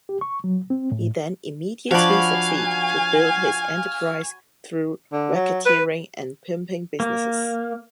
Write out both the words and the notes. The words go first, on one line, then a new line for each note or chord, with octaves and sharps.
He then immediately succeed to build his enterprise through racketeering and pimping businesses.
G4
C#6
F#3
C4
A2
F3 D4 F#4 C#5 F5 G#5 B5
D3
F#3
B4
A#3